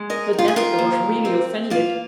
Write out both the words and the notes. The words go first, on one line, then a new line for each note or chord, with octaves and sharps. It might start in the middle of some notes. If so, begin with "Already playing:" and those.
But Netteke was really offended.
Already playing: G#3
A#4 D#5
D#3
F4
G#4
F4 A#4
D#2
C4
A#3 F4